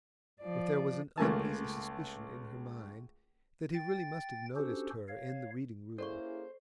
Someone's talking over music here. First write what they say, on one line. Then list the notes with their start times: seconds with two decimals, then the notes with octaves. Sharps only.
But there was an uneasy suspicion in her mind that he really must have noticed her in the Reading-room.
0.41 F3 D5
1.18 C#2 A3 A#3 G#5 A5
3.74 G5 A6
4.56 C#4 D4 F#4 G4 A4 C5
5.08 C#5 F5
5.98 A#3 C#4 E4 G#4 A4 C5 D5 C#6